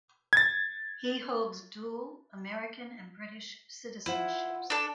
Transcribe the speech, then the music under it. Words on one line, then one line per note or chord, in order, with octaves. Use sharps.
He holds dual American and British citizenships.
G#6 A6
E4 F4 C5 F#5
D4 A4